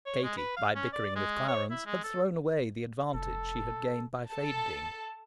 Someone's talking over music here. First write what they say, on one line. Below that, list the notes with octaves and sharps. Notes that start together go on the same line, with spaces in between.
Katie, by bickering with Clarence, had thrown away the advantage she had gained by fainting.
C#5
G#3
B4
F5
C#4
D5
G#3
C#5
E4
G#3
A4
F1 A4
A4 A5